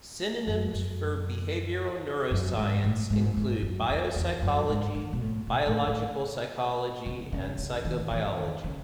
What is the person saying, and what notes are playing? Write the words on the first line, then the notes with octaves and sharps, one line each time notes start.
Synonyms for behavioral neuroscience include biopsychology, biological psychology, and psychobiology.
F#2
F#2
F#2
G#2
A2
G#2
G#2
F#2
E2
E2
F#2
G#2
D#3
B2
A2
B2
A2
A2
C#3
C#3
C#3
D#3
E3
C#3
D#3
C#3